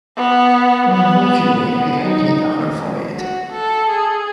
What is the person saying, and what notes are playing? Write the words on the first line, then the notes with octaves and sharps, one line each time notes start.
In a vague way he hated her for it.
B3
B3
B3
D#4
F#4
A4
G#4